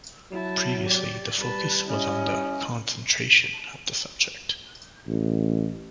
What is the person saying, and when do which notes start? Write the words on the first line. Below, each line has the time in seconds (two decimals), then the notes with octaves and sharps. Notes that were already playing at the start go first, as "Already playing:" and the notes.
Previously, the focus was on the "concentration" of the subject.
0.32 F#3 E4 A5
0.84 G4 D5
1.39 G3 B4 A5
1.88 C#4 E4 D#5
5.08 A1